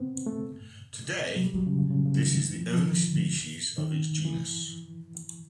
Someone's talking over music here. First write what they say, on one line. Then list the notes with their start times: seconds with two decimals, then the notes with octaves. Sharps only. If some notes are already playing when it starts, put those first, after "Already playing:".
Today, this is the only species of its genus.
Already playing: B3 C4
0.26 A3
1.36 F#3
1.44 G3
1.55 F#3
1.67 C#3
1.79 C#3
1.91 C#3
2.06 C#3
2.22 D#3
2.49 E3
2.61 F3
2.72 F3
2.84 D#3
3.08 D3
3.78 D#3
4.25 E3